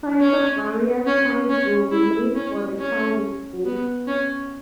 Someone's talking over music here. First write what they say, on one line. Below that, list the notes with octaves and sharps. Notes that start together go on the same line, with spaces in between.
Toys of various kinds will be made for the childish ghost.
C#4
C#4
C#4
E4
C#4
C#4
B3
C#4